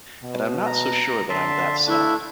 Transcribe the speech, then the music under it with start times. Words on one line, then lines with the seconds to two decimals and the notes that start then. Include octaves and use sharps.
And I'm not so sure that I'm that sad.
0.22 B2
0.66 A#5
1.30 D3 E5 A5 C6
1.87 A3 D4 E4